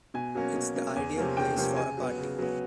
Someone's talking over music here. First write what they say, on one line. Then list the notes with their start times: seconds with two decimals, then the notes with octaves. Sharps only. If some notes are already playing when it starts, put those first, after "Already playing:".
It’s the ideal place for a party.
0.14 B2 G#5
0.35 F#3 A#3 C#4
0.55 B2
0.75 F#3 A#3 C#4
0.96 E2 G#5
1.16 C3 F3 A#3 C#4
1.37 E2 G5
1.56 C3 F3 A#3 C#4
1.76 C#3 G#5
1.97 F#3 B3
2.18 C#3
2.39 F#3 B3